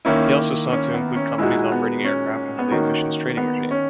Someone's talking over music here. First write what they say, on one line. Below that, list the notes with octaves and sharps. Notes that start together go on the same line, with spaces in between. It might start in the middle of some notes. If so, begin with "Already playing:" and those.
He also sought to include companies operating aircraft under the emissions trading regime.
D#3 A#3 C#4 E4
C#4
B3
C#4
A#2 G#3 D#4 E4 F#4
B3
C#4
B3
D#3 A#3 C#4 D#4 F#4
B3
C#4